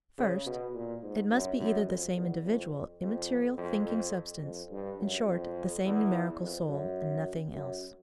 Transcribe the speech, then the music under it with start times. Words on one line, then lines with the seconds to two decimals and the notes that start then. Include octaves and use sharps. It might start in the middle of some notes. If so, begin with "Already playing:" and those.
First, it must be either the same individual, immaterial, thinking substance; in short, the same numerical soul, and nothing else.
0.18 C#3
0.46 B2
0.74 A#2
1.03 G#2
1.31 F#2
1.59 F#2
1.87 F2
2.16 E2
2.45 F2
3.01 F2
3.57 F2
3.86 F2
4.43 F2
4.71 G2
4.99 F#2
5.28 F2
5.84 E2
6.41 F2
6.69 F#2
7.54 F#2